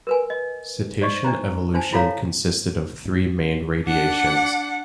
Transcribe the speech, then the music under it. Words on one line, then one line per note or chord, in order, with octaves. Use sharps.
Cetacean evolution consisted of three main radiations.
A#4 B4 G#5
D#5
C5 D5 D#5 C#6
D4 D#4 C5 A#5
D4 C5 G#5 A5
E4 F4 A4 C#5 F5 A#5
D4 F#5